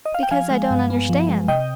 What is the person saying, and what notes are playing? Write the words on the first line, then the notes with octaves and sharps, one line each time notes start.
"Because I don't understand."
D#5
F5
G5
F3 F5 G#5
G#3
G2
B3
F3
G#3
C3 D#5 G5